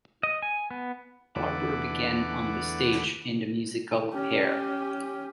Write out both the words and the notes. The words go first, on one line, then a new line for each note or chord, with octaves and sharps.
Barber began on the stage in the musical "Hair".
D#5
G#5
B3
E2 D3 A3 B4 F#5 D6
C#4 G4